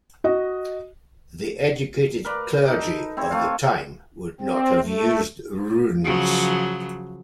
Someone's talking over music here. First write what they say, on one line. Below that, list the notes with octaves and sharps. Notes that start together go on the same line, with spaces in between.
The educated clergy of the time would not have used runes.
F#4 D#5
A#4 B4 D5
D#4 A4
C4 E4 C#5
A3 F4
C4
A3
C#3 F3 F#3